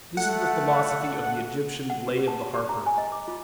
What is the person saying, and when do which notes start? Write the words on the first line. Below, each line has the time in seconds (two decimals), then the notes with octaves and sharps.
This is the philosophy of the Egyptian "Lay of the Harper".
0.17 A3 F#5
1.90 F#5
2.07 F#4
2.28 A5
2.54 G4
2.69 A#5
2.86 G#5
2.98 D#5
3.12 D6
3.28 F4